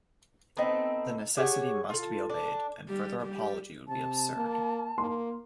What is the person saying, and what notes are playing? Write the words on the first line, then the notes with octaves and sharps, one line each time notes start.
The necessity must be obeyed, and further apology would be absurd.
A3 B3 C4 D#4
G4 G#4 C#5 F#5
F4 A4
D4
G3 G4
G3 G4
C3 A5
A#3
A#3 C6